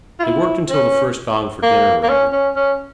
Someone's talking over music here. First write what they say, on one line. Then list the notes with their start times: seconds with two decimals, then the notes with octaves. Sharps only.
They worked until the first gong for dinner rang.
0.20 F4
0.23 E4
0.70 C#4
1.63 A#3
2.03 A#3
2.09 C#4
2.32 C#4
2.56 C#4